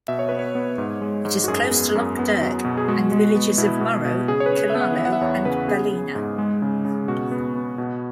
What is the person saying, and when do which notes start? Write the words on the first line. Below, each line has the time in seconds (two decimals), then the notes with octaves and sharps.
It is close to Lough Derg and the villages of Murroe, Killaloe and Ballina.
0.08 B2 E5
0.19 C#5
0.29 B3 B4
0.39 C#5
0.55 B3
0.78 G#2
1.02 G#3
1.25 G#2
1.44 F#4
1.48 F#2 G#4
1.71 B3
1.95 F#2
2.19 B3
2.42 F#3
2.65 B2
2.77 G#4
2.88 G#3 F#4
3.12 G#3
3.35 B3
3.58 B2 E4
3.81 B2
4.05 B2
4.28 C#3 G#4
4.40 C#5
4.46 B4
4.52 C#3
4.70 E5
4.75 B3
4.81 F#5
4.98 E3 E5
5.05 F#5
5.13 E5
5.21 E2 C#5
5.45 C#3 B4
5.68 B3 G#4
5.91 B3
6.15 G#2
6.38 G#3
6.62 C#3
6.85 C#3
7.08 B2 F#4
7.31 B3
7.55 B3
7.78 B2